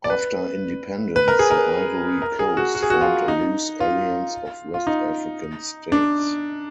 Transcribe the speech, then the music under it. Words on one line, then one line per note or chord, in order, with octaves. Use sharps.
After independence, the Ivory Coast formed a loose alliance of West African states.
D5
B4
B4
A#4
G#4
A#4
A#4
G#4
F#4
F#4
G#4
F#4
F4
D#4
F4
F4
D#4
D4